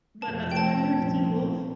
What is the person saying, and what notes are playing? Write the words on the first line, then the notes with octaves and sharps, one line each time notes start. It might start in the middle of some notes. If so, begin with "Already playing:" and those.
But, uh, so have you heard of Teen Wolf?
F2 C3 F3 A3 A5
G5
A5
C2 A#2 F3 C4